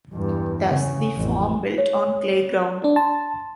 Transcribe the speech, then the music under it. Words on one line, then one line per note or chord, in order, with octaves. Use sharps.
Thus: "the farm built on clay ground".
E2 G2
C#3
A1 F2
C#5
D4
A5 C6